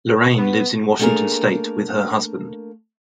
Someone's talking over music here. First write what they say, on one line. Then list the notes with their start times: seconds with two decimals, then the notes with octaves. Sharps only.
Lorraine lives in Washington state with her husband.
0.38 B3
0.99 A3 A#3 D4 F#4 G#4 A#4